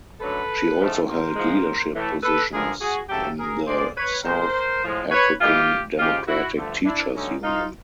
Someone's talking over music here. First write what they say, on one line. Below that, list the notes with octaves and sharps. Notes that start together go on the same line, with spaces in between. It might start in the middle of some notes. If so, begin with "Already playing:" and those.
She also held leadership positions in the South African Democratic Teachers Union.
F#2 D3 F#3 A3 A4 B4
G#2 F3 A3
A#4 C5
G#2 F3 G#3
A2 E3 A3
A4 B4
G2 D3 F3 G#3 G#4 A#4
F#4 G#4
C#3 F#3 A3 G4 A4
G#4 A#4
B2 G#3 C5 D5
B4 C#5
B2 G#3 A#4 C5
A2 F3 G#3
B4 C#5
G#2 E3 G#3 F4 G4
C#3 F3 G#3 F4 G4
E4 F#4
G2 D3 F3 A3
D4 E4
G2 D3 F#3 A3 C#4 D#4
D#4 F4